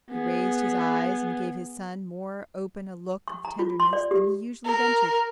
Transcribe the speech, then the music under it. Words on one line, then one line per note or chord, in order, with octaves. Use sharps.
He raised his eyes and gave his son more open a look of tenderness than he usually ventured.
B3 G#4
C#6
A#5
F4
C6
D5
G4
A#4